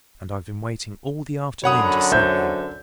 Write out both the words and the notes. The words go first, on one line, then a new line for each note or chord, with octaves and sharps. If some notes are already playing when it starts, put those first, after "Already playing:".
And I've been waiting all the afternoon to see you.
F#2 D3 F#3 C#5 F#5 B5 D#6
C5 E5 G6